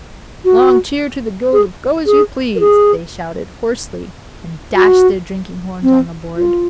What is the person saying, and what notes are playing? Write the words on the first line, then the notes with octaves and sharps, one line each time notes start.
"Long cheer to the Guild of Go-as-you-Please!" they shouted, hoarsely, and dashed their drinking-horns on the board.
F#4
G#4
G#4
A#4
G#4
F#4
C4
F4